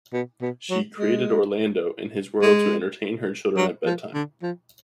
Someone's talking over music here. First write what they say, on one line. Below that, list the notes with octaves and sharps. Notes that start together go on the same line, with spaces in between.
She created Orlando and his world to entertain her children at bedtime.
B2
B2
F#3
G#3
G#3
F#3
F3
D3
F3